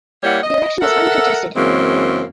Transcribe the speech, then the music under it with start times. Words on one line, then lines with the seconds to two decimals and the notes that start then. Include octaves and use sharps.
The election was uncontested.
0.24 G3 A#3 E4 C#5 F#5
0.43 D#5
0.82 A4 A#4 E5 F#5
1.56 F#2 C#3 E3 G#3 A#3 C4